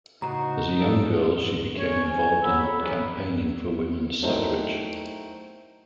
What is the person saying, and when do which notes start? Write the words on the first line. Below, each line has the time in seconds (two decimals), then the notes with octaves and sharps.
As a young girl, she became involved in campaigning for women's suffrage.
0.22 A2 C#3 D#4 F#4 C5 A#5
0.80 G3 D4 A4
1.77 C#4 C#5
2.05 G#4 C5 G#5
2.42 C#5 F#5 A#5 B5 E6
2.58 F2 C#5 B5
2.80 E2 D3 E3 F#3 A#3 B3
4.23 F#3 A3 C4 D#4 E4 A#4